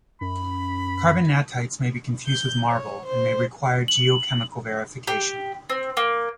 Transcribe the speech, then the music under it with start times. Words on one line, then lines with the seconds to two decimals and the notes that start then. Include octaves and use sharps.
Carbonatites may be confused with marble, and may require geochemical verification.
0.21 F#2 B5
2.26 G6
2.69 C#5
3.05 C5
3.88 F#7
5.07 G4
5.70 C4
5.97 A#3